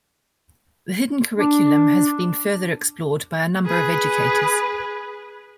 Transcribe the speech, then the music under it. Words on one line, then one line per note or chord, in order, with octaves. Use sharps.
The hidden curriculum has been further explored by a number of educators.
D4
G#4 B4